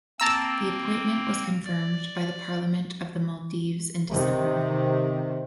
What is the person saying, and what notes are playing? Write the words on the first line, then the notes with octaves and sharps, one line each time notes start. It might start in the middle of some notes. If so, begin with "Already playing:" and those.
The appointment was confirmed by the Parliament of the Maldives in December.
A#3 C4 A5 A#5 E6
D5
C3 D#3